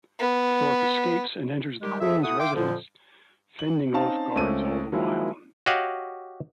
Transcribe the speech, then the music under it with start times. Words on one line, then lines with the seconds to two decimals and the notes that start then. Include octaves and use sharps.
Thorpe escapes and enters the Queen's residence, fending off guards all the while.
0.19 B3
1.82 D#3 G3 G#3 G4
2.00 F2 G#4 E5
2.23 A3 E4 F#5 D#6
2.39 E5 F5 G5 C6 D6
2.54 F2 A#2 D3 F3
3.59 F#7
3.93 C4 C#4 D#4 F5 A5
4.36 C#2 A3 C4 C#4 D#7
4.92 D#3 F3 F#3 G#3 A#3 E4
5.66 F#4 G4 C#5 D#5 F5 F#5